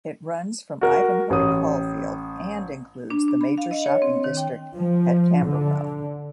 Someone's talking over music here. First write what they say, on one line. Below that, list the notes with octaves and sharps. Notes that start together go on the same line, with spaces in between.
It runs from Ivanhoe to Caulfield and includes the major shopping district at Camberwell.
F#4 A#4
A1 D#6
D4
D4
B5
F5
D#5
C#5
C4
D#3
G5
F3
D3